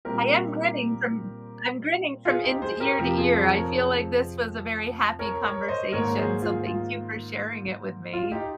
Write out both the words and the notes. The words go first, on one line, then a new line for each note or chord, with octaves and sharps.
am grinning from I'm grinning from in ear to ear. I feel like this was a very happy conversation, so thank you for sharing it with me.
A#2 G3 C4 G4 A#4
F4 G#4
D#4 G4
G#4 C5
G4 A#4
F2 C3 F3 G4 A#4
F4 G#4
G#4 C5
A#4 C#5
G#4 C5
A#4 C#5
A#4 C#5
C5 D#5
G#2 D#3 A#3 A#4 C#5
G#4 C5
F4 G#4
F4
F4
D#4 G4